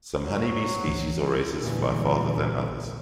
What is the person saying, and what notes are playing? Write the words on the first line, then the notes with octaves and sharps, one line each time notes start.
Some honey bee species or races fly farther than others.
C3 F#3
G#1 C#2 E3
E2 A#2 D3 E3 G3 G#3